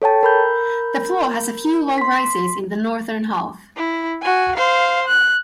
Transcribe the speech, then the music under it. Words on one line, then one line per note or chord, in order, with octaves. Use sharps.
The floor has a few low rises in the northern half.
A4 C#5 G5 A5
A#4 B5 G6
C6 B6
E4
F#4 G#5
C5 F5
F#6